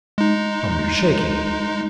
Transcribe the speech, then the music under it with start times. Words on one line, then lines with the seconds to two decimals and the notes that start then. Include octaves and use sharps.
"Come, you're shaking."
0.18 G#3 D#4